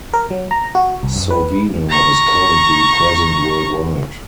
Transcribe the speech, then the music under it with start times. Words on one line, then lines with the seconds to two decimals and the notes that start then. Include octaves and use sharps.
Sovena is currently present worldwide.
0.13 A#4
0.30 F#3
0.51 A#5
0.75 F#4
1.03 C2
1.16 F#2
1.30 B4
1.90 A#5 C#6